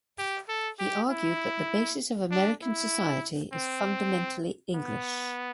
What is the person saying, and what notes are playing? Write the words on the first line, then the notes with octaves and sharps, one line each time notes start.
He argued that the basis of American society is fundamentally English.
G4
A4
G4
E4
D4
E4
C4
B3